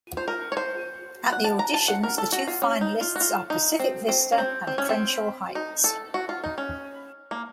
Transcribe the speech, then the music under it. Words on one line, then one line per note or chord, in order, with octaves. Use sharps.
At the auditions, the two finalists are Pacific Vista and Crenshaw Heights.
C5
A#4
C#5
C5
F#5
A5
A#5
A5
F#5
A#4
A4
F#4
F4
C#4
D#4
F4
F#4
F4
D#4
C4
C4
C#4
C4
C4
C#4
C4
D#4
A4
F#4
F4
D#4
C#4
A#3